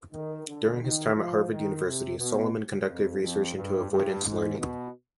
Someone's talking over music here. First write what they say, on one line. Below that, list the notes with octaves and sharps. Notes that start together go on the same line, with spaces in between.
During his time at Harvard University, Solomon conducted research into avoidance learning.
D#3
D3
D#3
F3
D#3
C3
B2
F2
F2
G2
G2
G#2
B2